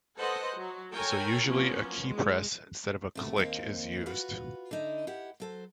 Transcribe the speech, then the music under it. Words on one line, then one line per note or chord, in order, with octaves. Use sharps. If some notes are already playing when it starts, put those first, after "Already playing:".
So usually a keypress instead of a click is used.
A4 B4 C5 D#5 F#5
F#3
A4 A#4 C#5 G5 G#5
F3 F#3 A#3 B3 C#4
G#3
C3 A3 F#4
D#2 A#3 C4
F4 F#4 B4
D3 D#4 E4
E4 G4 F#5
F#3 A4 C5